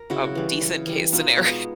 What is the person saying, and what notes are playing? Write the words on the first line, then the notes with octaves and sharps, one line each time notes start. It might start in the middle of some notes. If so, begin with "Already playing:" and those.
a decent case scenario
Already playing: A#4
C#3 E4 F#4
E3 G3
C#3
E3 G3
B2 D#4 F4
G#3 B3